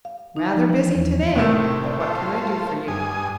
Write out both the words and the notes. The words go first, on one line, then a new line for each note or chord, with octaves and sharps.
"Rather busy to-day, but what can I do for you?"
F5
D#4
F3
E3
E2
A2 C3 D#3 A3
F4 A4 C5
G2 G#5 D#6